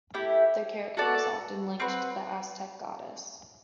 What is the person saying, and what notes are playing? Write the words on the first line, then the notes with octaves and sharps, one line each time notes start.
The character is often linked to the Aztec Goddess.
A3 E4 G4
F#4 A4 D5
C4 F#4 B4